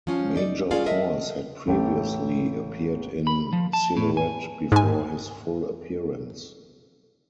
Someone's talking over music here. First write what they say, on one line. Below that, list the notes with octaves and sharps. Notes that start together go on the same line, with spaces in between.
Major Force had previously appeared in silhouette before his full appearance.
F3 C#4 F4
D#4 D5
G3 C#4 F4 G#4 D5 F5
A4 A#4 D#5 E5
A1 A3 G4
B5
F3
A5
A2
G#5
G#2 G#5